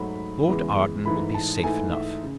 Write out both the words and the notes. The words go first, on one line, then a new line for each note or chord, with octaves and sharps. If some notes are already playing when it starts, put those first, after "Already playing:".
Lord Arden will be safe enough.
Already playing: G#2 F#3 A3 B5
E2 C#3 E3 G#3
G#2 E3 A3 B5
A5
G#2 E3 A3 G#5
E5
C#3